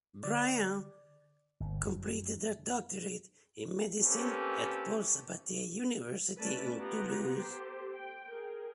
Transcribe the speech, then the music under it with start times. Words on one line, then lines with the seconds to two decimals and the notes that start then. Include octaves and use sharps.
Briand completed her doctorate in medicine at Paul Sabatier University in Toulouse.
0.23 D3 D5
1.60 G1
1.82 F#2
4.02 A#3 C4 C#4 G4 A4 B4
6.40 A3 C#4 B4 D5 A5
6.78 B3 F4 G4 F#5 A#5
7.33 G4 A4 C5
7.93 G5
8.27 G#4 A#4